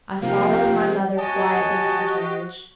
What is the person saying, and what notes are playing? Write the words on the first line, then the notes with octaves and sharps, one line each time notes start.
I followed my mother quietly to the carriage.
C3 F3 A#3 D#4 G4 A#4 F5
F#4 G4 C#5 D#5 G#5 A5